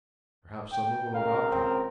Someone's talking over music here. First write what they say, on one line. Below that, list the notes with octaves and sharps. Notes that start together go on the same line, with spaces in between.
Perhaps some one will adopt her.
G5
C#2 A#4 F5
C4